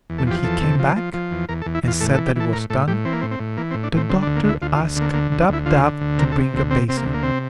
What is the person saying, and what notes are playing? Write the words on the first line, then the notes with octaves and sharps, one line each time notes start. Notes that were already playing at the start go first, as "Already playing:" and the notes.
When he came back and said that it was done, the Doctor asked Dab-Dab to bring a basin.
E2
A4
F3 G4
E2 A4
C3
F3
F3
F3
E2
E2 A#4
A4
E2
E4
E2 F4
A2 A4
A4
E3
G4
E3 A4
A2 A#4
A2 A4
A2 G4
E3 C4
A#3
A2 C4
C4
A2
E3 A#3
C4
A2
D4
A2 C4
D3 C4
D4
D2
A#3
D2 E4
D2 F4
F4
D2
D3 A#3
D2 A#3
D2
D4
D2 E4
D3 F4
D3
D2
C3 A#4
A4
C3
D2 C4
C3 C4
C3 C4
A#3
D2
A#3
C3 C4